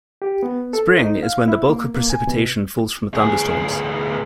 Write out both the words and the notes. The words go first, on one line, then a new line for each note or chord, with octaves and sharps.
Spring is when the bulk of precipitation falls from thunderstorms.
G4
B3
A4
D#4
F5
E4
A#3
A#3
G#5
B2
D2 G#4